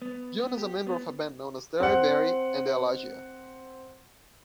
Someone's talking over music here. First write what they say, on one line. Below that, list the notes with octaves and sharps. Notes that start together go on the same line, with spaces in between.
John was a member of a band known as Derryberry and Alagia.
B3
B3
G4
B3
C4 F#5